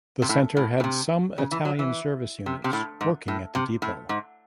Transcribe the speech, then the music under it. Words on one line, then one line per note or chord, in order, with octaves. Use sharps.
The Center had some Italian Service Units working at the depot.
C3
A2
A2
A2
C3
C#3
E3
F#3
E3
C3
C3
A2
G#2
A2
C3
A2
G#2